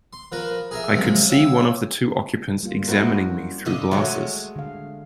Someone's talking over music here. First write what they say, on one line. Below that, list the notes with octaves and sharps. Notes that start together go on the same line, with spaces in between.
I could see one of the two occupants examining me through glasses.
C6
F3 A#4 B4
G#4 A#4 E5
C3 F3 F#3 G#3
C#5 E5 F5 G5
G3 A#3 F4
F#2 C4 E4 F#4 A#4
G2 D3 D#5
D#3 F#3 A3 F4 F#4 C#5
G#3
D3 F5